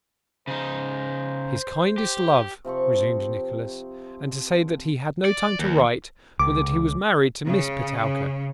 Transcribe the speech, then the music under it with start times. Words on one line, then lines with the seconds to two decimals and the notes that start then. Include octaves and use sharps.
'His kindest love,' resumed Nicholas; 'and to say that he had no time to write, but that he was married to Miss Petowker.'
0.47 C#3 D#4 C5
1.98 G4
2.65 C3 F3 C4 C#6
5.25 D5
5.59 D#2
6.40 C#2 D6
7.47 C#3